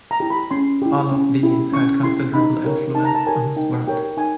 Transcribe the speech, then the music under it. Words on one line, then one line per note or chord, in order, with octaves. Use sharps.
All of these had considerable influence on his work.
A#5
E4 G4
B5
C#4 C6
E4 G4
C#4
E4 G4
C#4 C#6
E4 G4 C6
D#4 B5
G4 A#4 C#5
D#4 A5
A#5
A5
G4 A#4 C#5 G#5
D#4 G5
G4 A#4 C#5 G5
D#4 G#5